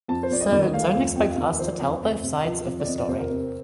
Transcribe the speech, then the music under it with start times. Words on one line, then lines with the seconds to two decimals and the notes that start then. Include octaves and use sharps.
So, don't expect us to tell both sides of the story.
0.08 F2 A5
0.23 C5
0.31 F2 D5
0.41 D#5
0.52 D#3 D5
0.62 D#5
0.73 A3 F5
0.87 F5
0.95 F2
1.15 F2 G5
1.31 F5
1.38 D#3
1.45 D#5
1.58 F3 C5
1.67 D5
1.74 C5
1.81 F2
2.02 F2
2.23 C3
2.44 F3 D#5
2.65 F2
2.80 D5
2.87 F2 D#5
2.98 D5
3.09 C3 C5
3.19 A#4
3.30 C4